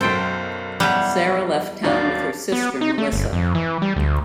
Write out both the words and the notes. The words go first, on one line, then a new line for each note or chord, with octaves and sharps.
Sarah left town with her sister, Melissa.
B1 F#2 A4 C5 G5
E2 G3 C#5 F#5
G#1 D#2 F#3 D4 D5 F5
B3
D#4
A3
G1
F2
E3
G3
D2